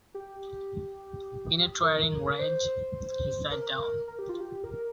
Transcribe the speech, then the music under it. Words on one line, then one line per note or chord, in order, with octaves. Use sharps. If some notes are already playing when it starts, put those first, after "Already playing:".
In a towering rage, he sat down.
G4
A#4
C5
A#4
A#4
G4
F4
G4
A#4